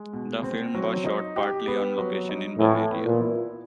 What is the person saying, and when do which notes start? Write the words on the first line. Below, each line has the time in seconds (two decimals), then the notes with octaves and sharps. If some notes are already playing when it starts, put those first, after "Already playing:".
The film was shot partly on location in Bavaria.
Already playing: G#3
0.13 B2
0.43 C4
0.75 F#3
1.06 D#4
1.36 G4
1.67 B3
1.98 F#3
2.29 D#4
2.59 A2 E3
2.90 B3
3.06 A#2
3.21 E4